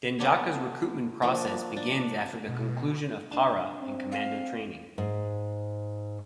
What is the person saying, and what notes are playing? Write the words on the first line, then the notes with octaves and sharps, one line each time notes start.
Denjaka's recruitment process begins after the conclusion of para and commando training.
A3 B3 D4 C#5
F3 A#3 D4
D4
B2
D4
C4
F5
G#2